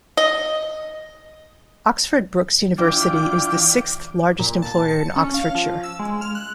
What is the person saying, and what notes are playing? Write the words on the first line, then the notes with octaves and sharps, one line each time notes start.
Oxford Brookes University is the sixth largest employer in Oxfordshire.
D#5
E3 D4 F4 G5 D6
A#2
A5
C#7
C#4
F5
F3
E6
G#3
F6
F#6